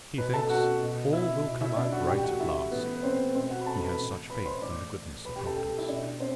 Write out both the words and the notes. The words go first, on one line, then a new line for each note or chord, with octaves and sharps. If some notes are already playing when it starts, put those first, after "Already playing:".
He thinks "all will come out right at last;" he has such faith in the goodness of Providence.
B2 B4 B5
A4 A5
F#4 F#5
B2
E4 E5
B2
E4 E5
D4 D5
F#4 F#5
A2 E3 G4 G5
F#4 F#5
E4 E5
A2 E3 B3 B4
B4
C4 C5
B2 C4 C5
F#4 F#5
B5
A4 A5
B4 B5
A2 E3
B4 B5
C5 C6
A2 E3 D5 D6
B2 B4 B5
G4 G5
A4 A5
G4 G5
E4 E5
B2 D4 D5
C4 C5